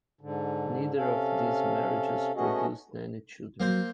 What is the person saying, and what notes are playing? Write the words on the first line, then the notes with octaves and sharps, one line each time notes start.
Neither of these marriages produced any children.
G#2 D3
C3 C#4 A4 F5
A3 B3 C#4 F#4 G#4 D#5
F#3 A#3 C4 C5